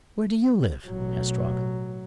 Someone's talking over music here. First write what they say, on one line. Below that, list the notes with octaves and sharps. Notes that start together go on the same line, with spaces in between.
"Where do you live?" asked Robin.
A1 B2 F#3